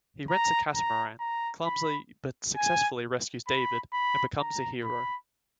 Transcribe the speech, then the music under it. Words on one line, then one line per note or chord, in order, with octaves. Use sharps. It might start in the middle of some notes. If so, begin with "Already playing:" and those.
He rents a catamaran, clumsily but successfully rescues David, and becomes a hero.
A#5
A#5
A#5
B5
G#5
B5
B5
A#5
B5